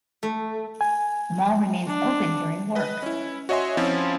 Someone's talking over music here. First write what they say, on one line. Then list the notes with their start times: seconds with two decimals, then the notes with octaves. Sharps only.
The mall remains open during works.
0.23 A3
0.81 G#5
1.87 D4
2.75 B4 D#5
3.03 C#4 E4
3.49 F#4 C#5 D#5 E5 G#5 C6
3.77 F3 C4 C#4 E4 F4